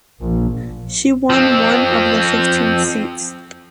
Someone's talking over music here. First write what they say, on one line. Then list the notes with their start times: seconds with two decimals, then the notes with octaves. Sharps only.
She won one of the fifteen seats.
0.20 A#1
1.30 F3 C4